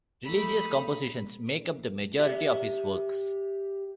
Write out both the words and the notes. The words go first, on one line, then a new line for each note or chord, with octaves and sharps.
Religious compositions make up the majority of his works.
A3 D#4 B5
G4 E5